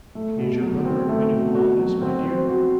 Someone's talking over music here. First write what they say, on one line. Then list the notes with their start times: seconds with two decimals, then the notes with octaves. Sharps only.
And is your brother acquainted with all this, my dear?'
0.15 A3
0.38 B2
0.61 F#3
0.85 C4
1.09 A3
1.32 B2
1.55 F#4
1.79 F#3
2.02 C4
2.26 C5
2.49 F#4